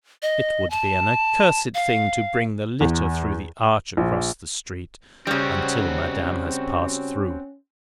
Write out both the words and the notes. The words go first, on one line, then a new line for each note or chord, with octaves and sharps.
It would be an accursed thing to bring the litter through the arch across the street, until Madame has passed through.
D#5
A5
F5
E2
A#1
C#3 G3 C4 C#4 F#4